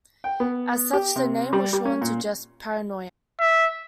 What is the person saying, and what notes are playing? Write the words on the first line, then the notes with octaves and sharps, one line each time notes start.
As such, the name was shortened to just "Paranoia".
G5
B3
G4
C3
G3
G3
C#4
A#2
E5